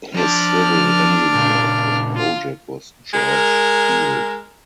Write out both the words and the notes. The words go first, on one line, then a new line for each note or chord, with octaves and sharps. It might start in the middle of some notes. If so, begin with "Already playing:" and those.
His civil engineer for the project was George Heald.
F3 D4 A5 F6
A#2 C#3
F4
G#3 A#4